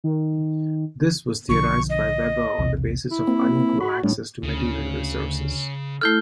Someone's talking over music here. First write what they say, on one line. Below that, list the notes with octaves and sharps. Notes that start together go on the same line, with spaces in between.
This was theorized by Weber on the basis of unequal access to material resources.
D#3
B1 D3 F3 C#6
D#5
B1 E2 C3
E4
A#3 C4
F#4 B5
A2 G3 A3 D4
D2 C#3
A3 E4 A4 F6 G6 G7